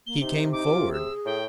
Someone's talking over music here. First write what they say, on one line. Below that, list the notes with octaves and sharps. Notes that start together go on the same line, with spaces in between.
He came forward.
A#3 G7
C3 D#4
D#4 D6
F4
G#4 E6
A2 G5